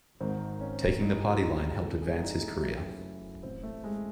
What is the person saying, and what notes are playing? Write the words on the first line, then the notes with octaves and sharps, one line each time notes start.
"Taking the party line" helped advance his career.
G#1 G#2 D#3 C4
C#4
A1 A2 E3 D#4
F#4
G#4
C#2 C3 E3 A4
G#4
D#4
A3
F#1 F#2 C#3 E3 A3
A1 A2 E3 C4
A3
G#3